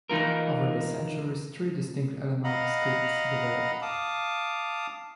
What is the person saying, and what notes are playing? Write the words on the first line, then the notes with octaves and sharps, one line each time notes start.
Over the centuries, three distinct Elamite scripts developed.
E3 D#4 F4 A#4
D#5 F5 F#5 A#5 B5
F5 A5 D6 D#6